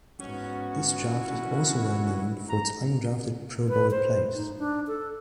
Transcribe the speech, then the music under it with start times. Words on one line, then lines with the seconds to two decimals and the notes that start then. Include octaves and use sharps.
This draft is also well known for its undrafted Pro Bowl players.
0.20 G#2 B3 C#4 F#4
1.09 B2 E4
2.49 A#5
3.68 B4
3.91 C5
4.35 D#4
4.58 D4
4.87 A4